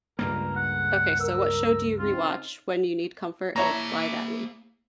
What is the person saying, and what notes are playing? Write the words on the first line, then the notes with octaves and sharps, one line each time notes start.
Okay, so, what show do you rewatch when you need comfort, and why that one?
C#2 G2 A#3 A#4
F#5
A#4 E6
C#3 C4 D#4 F4
A#3 E4 C#5 A5 A#5